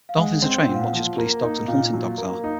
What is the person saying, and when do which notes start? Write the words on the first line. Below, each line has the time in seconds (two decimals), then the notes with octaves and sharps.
Dolphins are trained much as police dogs and hunting dogs are.
0.09 F5
0.18 G#3 F#5
0.42 C4
0.68 A#2 F#5
0.74 F5
0.81 F#5
0.93 F3
1.18 A#3
1.43 D#4
1.68 A#2 F5
1.93 F#3
2.18 A#3
2.44 D#4